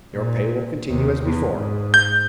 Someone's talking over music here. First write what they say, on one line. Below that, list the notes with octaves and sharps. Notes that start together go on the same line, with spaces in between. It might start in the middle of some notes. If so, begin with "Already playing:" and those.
Your pay will continue as before.
A#2
D#2 C3
E2
G#2
G6